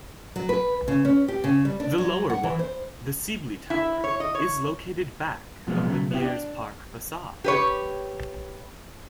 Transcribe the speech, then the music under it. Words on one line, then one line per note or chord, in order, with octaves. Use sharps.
The lower one, the Sibley Tower, is located back of the Mears Park facade.
F#3
B4
C#3
C#4
G4
C#3
G3
D4
F#3
F#5
E3
C5
E4
C#5
D#5
C#5
B2 F3 F#3 G#3 A#3 B3
C#3 F#3 A3
B3 E4 G4
D4
G4 B4 C#5